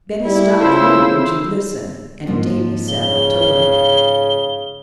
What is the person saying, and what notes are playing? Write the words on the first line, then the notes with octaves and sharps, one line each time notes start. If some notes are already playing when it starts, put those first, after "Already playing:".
Betty stopped reading to listen, and Davy sat up to look.
G3 E4
C#3 F4 A4 C5 E6
G#2 F3 A#3
C#3 G7